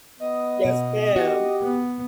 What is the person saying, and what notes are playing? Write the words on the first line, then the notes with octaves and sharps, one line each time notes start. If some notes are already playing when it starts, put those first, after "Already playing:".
Yes, ma'am.
B3 D#5
B2
F#4 G4
B3